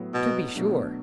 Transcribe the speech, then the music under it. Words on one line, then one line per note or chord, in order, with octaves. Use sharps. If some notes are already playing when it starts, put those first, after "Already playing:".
To be sure.
Already playing: A2 F#3 B3
B2
B2 F#3 A3 D4